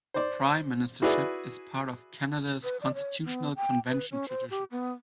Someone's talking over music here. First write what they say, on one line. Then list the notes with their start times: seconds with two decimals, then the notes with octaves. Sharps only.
The prime ministership is part of Canada's constitutional convention tradition.
0.14 C5 D5
1.02 E4 F#4 G#4 B4 D5 E5
2.64 B4
2.82 D5
2.95 C#5
3.25 B3
3.56 G5
3.89 B4
4.11 C#4
4.29 C5
4.50 G4
4.71 B3